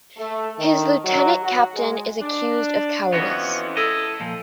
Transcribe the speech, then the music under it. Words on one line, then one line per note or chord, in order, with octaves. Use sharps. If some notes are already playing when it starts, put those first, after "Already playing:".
His lieutenant captain is accused of cowardice.
A3
D#3
F#3
F#4
G#3
D4
F2 E3 B3 C#4 F#4
E4 A4 D#5
A#2 F3